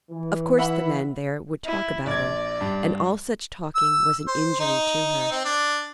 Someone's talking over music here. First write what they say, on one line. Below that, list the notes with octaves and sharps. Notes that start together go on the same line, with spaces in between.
Of course the men there would talk about her, and all such talking was an injury to her.
E3
E5 F#5 B5
E4
A#1 D5 G#6
G2
E6
C5
D#4
C4
D4